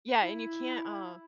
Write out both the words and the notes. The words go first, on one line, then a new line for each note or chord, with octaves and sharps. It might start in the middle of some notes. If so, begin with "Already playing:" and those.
Yeah, and you can't, uh
E4